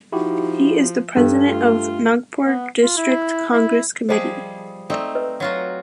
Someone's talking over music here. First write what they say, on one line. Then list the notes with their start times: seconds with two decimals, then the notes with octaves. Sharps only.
He is the President of Nagpur District Congress Committee.
0.12 F3 D#4 E4 F#4 G4
1.17 G2 D4 A4
1.48 A3 F4
2.43 B3
2.83 F4
2.97 E4
3.51 E4
4.09 F3 G3 G#4 C5 D#5 A5
4.90 A3 C4 D#4 D5
5.15 B4 D#5
5.40 F#3 F4 F#4